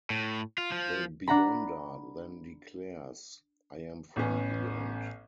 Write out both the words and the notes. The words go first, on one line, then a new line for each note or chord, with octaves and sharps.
The Beyonder then declares: I am from beyond!
A2
F4
F3
D4 F#5 A#5 B5
A1 B3 C#4